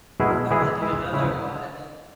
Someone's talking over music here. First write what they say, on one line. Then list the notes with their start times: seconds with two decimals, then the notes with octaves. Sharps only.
I might need another one then."
0.20 B2 G#3 E4 G#4
0.51 E3 G#3 E4 G#4
0.82 E3 G#3 E4 G#4
1.13 C#3 G#3 E4 G#4